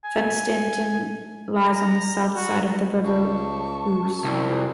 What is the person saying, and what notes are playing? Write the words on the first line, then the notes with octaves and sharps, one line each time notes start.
Fenstanton lies on the south side of the River Ouse.
G#5
A#5
F#4
C#2 A5 C#6
F#2
C2
F2 F#4 G#4 B4